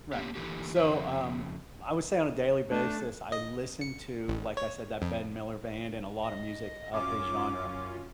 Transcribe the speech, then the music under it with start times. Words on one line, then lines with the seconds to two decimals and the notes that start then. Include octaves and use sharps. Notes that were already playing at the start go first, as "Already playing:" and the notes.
Right. So, um, I would say on a daily basis, I listened to, like I said, The Ben Miller Band and a lotta music of his genre,
0.13 A#3 B3 C#4 G4
0.35 D3 E3 A3 A#3 E4 G4
0.76 F2 C#3 E3 C#4 E5
2.70 A3 D4 A5
3.32 D#5
3.81 C#7
4.28 A1
4.57 C#5
5.02 F2
6.22 D#5
6.92 F#2 C#4 F4 D6